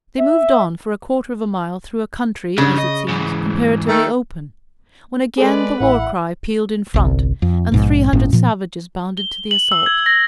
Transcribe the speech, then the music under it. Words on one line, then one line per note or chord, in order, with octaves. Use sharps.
They moved on for a quarter of a mile through a country, as it seems, comparatively open, when again the war-cry pealed in front, and three hundred savages bounded to the assault.
E5
C#3 G3 D4
D#5
G#2 E3
D#3 A3
G#3 G#4 A4 B4 D5
A1 E4 E5 F#5 B5
G1 C2
F2
A#1 G#2 B2
G1 A2 C#4
A#2 F3
G7
F#7
E6
G#6
A#6